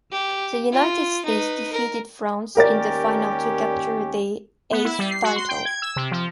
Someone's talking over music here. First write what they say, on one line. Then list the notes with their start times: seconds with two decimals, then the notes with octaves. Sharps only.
The United States defeated France in the final to capture their eighth title.
0.12 G4
0.72 F4
1.25 D#4 B4
1.71 A#4
2.57 D#2 C#4 G4 A#4 D5 A6
4.72 B3
4.85 E4
4.99 G3
5.11 C7
5.23 F#4
5.36 C6
5.49 G5
5.65 G#6
5.82 E6
5.96 C3
6.11 F3